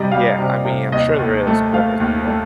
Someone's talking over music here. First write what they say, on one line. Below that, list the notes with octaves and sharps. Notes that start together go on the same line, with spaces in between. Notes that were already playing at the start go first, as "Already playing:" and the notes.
Yeah, I mean, I'm sure there is, but it's Yeah.
Already playing: C3 G3 D5 D#5
G3 F5
C3
C3
D#2 D#5
D#2
A3
A3 F5
D#2
A3